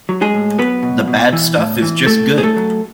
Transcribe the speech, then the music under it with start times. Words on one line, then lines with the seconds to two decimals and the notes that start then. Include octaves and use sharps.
The bad stuff is just good.
0.09 F#3
0.22 G#3 G#4
0.34 A2
0.58 F#3 B3 B4
0.83 B2
1.08 B2
1.33 E3
1.57 A2
1.82 E3
2.06 A2 A3 A4
2.32 A2
2.38 G#4
2.43 A3 A4
2.57 F#3